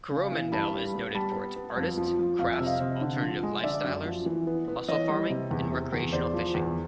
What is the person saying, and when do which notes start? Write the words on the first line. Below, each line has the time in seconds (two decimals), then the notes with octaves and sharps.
Coromandel is noted for its artists, crafts, alternative lifestylers, mussel farming, and recreational fishing.
0.11 C#3
0.32 E3
0.52 G2 A5 B5
0.73 G3
0.94 B3
1.15 G3 A5 B5
1.35 B3
1.56 B3
1.77 F2
1.97 F3
2.19 F3
2.39 F2 F5
2.53 E5
2.60 C3
2.66 D#5 F5
2.81 C3
3.01 D3
3.22 F3
3.43 G#3
3.63 D3 D5 E5
3.84 F#2
4.05 F3
4.26 E3
4.47 B3
4.68 B3
4.88 E3 C#5 D#5
5.09 G3
5.30 C3
5.51 E2
5.72 C3
5.92 E2
6.12 E2 C5 D5
6.33 F3
6.54 E2